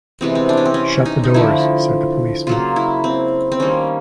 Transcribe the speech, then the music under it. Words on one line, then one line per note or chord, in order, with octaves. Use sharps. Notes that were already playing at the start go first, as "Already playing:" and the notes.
"Shut the doors," said the policeman.
C3 E3 G#3 B3 C4
C4
D4
C#4
C4
C#4
D#4
D#4
D3 F3 A3 E4
C#3 F#3 A#3 F4
E4
C4
C4
D#3 G3 A#3 C#4